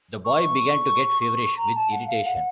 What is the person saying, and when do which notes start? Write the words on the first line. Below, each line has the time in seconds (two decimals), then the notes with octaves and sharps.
The boy began to get feverish with irritation.
0.25 C#6
1.57 A#5
1.75 A5
1.91 F#5
2.07 F5
2.24 F#5